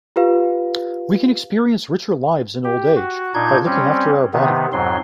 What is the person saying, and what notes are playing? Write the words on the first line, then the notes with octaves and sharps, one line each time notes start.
We can experience richer lives in old age by looking after our body.
F4 G4 B4 F5
G4
F#4
A#2 D4 D#4 G6 G#6
G3 C4 C#4
C3 D#3 B3
F2 G#2 F#3 C6